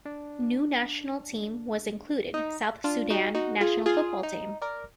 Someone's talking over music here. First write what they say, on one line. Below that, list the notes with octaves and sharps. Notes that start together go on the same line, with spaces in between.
New national team was included, South Sudan national football team.
D4
D#4
D4 F4
D#4 F#4
D#4 F#4
F4 G#4
F4 G#4
D#4
A#4 D5